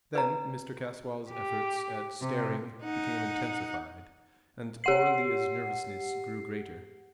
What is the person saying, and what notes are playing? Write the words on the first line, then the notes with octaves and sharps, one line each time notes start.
Then Mr. Caswall's efforts at staring became intensified, and poor Lilla's nervousness grew greater.
B4 A#5
G4
C3
D#4 F#5
G4 F#5 C7